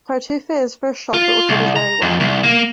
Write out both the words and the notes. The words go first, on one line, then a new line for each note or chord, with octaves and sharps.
Tartuffe is at first shocked but recovers very well.
F4
C2
A#5
F2
C2
A#3